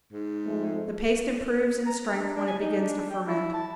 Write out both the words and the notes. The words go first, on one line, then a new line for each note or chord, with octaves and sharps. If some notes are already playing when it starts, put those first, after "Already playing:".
The paste improves in strength when it begins to ferment.
G#2
F2 G#3 A3
A#5
D4
D4
G#5
D#4
D4
G5
E4
A5